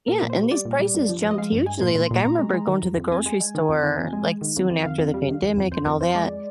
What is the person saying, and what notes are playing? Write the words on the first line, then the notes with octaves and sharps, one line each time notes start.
Yeah, and these prices jumped hugely, like, I remember going to the grocery store, like, soon after the pandemic and all that,
A#2 A#4
A#2
C5
G3
G3 D5
A#2
G3
G2
F3
F3
D#5
G#3 F5
G2
G#3 G#5
A#2 C6
A#2
A#2
A#2 A#5
G#3
G#3
D#3
F2
F2
F2 G#5
G#3
G#3
D#3
F2
D#3
F2
G#3
G#3
D#3
F2
F2
D#3 F5
F2
G3
D#3
F2
F2
F2 C5
F2 A#4
F2 C5
G#3 D5